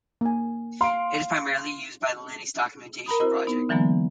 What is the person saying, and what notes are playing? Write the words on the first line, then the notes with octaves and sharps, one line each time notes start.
It is primarily used by the Linux Documentation Project.
A#3 G#5
F5 C6 D7
A#4 A#5 B5 D#6
C4 E4 F#4 A#4 C5 D#5
B3 D#4
D3 E3 F#3 G#3 A#3 B3